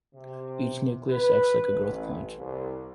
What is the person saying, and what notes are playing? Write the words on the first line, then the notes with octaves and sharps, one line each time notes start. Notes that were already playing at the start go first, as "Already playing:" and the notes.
Each nucleus acts like a growth point.
C3
B4
A1
C2